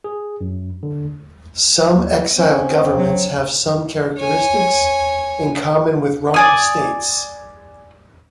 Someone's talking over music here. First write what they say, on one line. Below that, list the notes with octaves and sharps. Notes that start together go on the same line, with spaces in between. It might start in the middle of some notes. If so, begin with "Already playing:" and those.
Some exiled governments have some characteristics in common with rump states.
G#4
F#2
D3
D#2
C4 C#4
F#3
C#5 G#5
D5 G#5 D#6